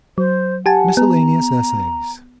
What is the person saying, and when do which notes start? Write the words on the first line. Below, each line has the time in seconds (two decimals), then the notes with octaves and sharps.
Miscellaneous Essays.
0.18 F#3 C5
0.66 G4 F#5 G#5 A5
0.97 B3 A#5